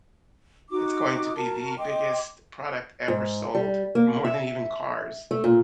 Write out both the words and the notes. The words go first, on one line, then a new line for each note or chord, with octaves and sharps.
it's going to be the biggest product ever sold, more than even cars.
D#4 F#4 D6
F#4 A#4 A5
D#5 G5 C6 D6
G#2
G3
A#3
E5
A3
A#2